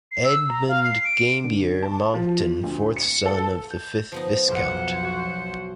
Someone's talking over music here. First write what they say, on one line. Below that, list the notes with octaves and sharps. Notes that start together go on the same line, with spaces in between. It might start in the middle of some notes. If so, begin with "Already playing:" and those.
Edmund Gambier Monckton, fourth son of the fifth Viscount.
C7
E6
A#5
F5
C7
D7
D3
A5
F3
D2
C#7
A4
G6
F3 B3 D#4
B1 F2 C5 F#5
F#4 C#5 C#6